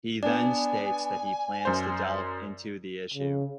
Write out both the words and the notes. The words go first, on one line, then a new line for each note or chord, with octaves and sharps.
He then states that he plans to delve into the issue.
B3 D4 D5 G#5
F#2 C5
C#3